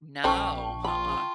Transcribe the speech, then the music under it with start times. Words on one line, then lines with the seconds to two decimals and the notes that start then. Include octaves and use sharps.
No, nuh-uh.
0.24 A#1 C#4 A4 C5 G5 A5 C#6
0.84 F4 B5